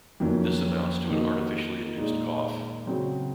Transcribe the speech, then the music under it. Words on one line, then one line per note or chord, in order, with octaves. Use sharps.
This amounts to an artificially induced cough.
F2 D#3 F#3 A#3 C#4
D#3 A#3 D#4 F#4
A#2 G#3 D#4
C#3 F#3 C4 F#4